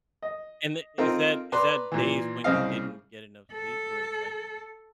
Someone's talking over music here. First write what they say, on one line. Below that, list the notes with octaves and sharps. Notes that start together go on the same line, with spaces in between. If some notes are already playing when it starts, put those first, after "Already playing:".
And tha is that is that days when you didn't get enough sleep where it's like
D#5
C4 D#4 F4 A4 A#4
B4 D5 A#5 C6
A#2 E3
C2 C#3 C4 D#5 F5
A4